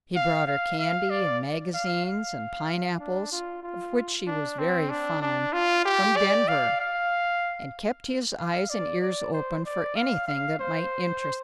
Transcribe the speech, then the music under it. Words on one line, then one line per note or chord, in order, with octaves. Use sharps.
He brought her candy and magazines and pineapples--of which she was very fond--from Denver, and kept his eyes and ears open for anything that might interest her.
F5
F5
F5
D5
F5
F5
D4
F4
F4
D4
C4
D4
D4
F4
G4
D5
F5
F5
F5
D5
D5
C5
D5
F5
F5
C5